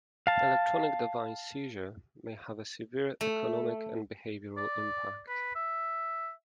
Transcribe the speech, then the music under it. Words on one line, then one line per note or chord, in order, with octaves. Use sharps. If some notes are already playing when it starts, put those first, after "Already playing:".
Electronic device seizure may have a severe economic and behavioral impact.
F5 A5
A3
D5
B4
E5